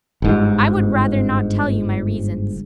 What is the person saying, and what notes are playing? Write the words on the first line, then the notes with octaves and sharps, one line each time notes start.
"I would rather not tell you my reasons."
G1 G#2